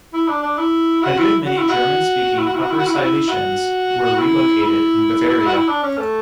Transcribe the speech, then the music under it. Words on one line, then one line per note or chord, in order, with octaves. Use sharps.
A good many German-speaking Upper Silesians were relocated in Bavaria.
E4
D4
D4
E4
F#4
E4
F#4
E4
F#4
E4
F#4
E4
F#4
E4
F#4
E4
F#4
E4
F#4
E4
E4
F#4
E4
D4
C#4
A3